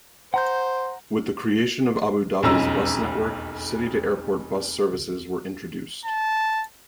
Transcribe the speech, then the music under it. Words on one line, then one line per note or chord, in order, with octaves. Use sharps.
With the creation of Abu Dhabi's bus network, city-to-airport bus services were introduced.
C5 F#5 A#5 G6
E1 B1 F2 C#4 A#5 E6
A5